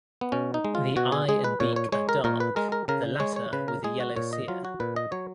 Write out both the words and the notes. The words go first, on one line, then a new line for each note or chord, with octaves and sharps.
The eye and beak are dark, the latter with a yellow cere.
B3
B2 C#4
D#4
G#3
F4
B2 F#4
G#4
G#3 G#4
B4
A#2 C#5
C#5
G#3 C#5
A#4
A#2 A#4
B4
G#3 A#4
A#4
C#3 A#4
G#3 C#5
C#5
C#3 B4
A#4
G#3 G#4
F#4
A#2 C#5
D#5
F#3 F4
F#4
A#2 B4
D#5
F#3 C#5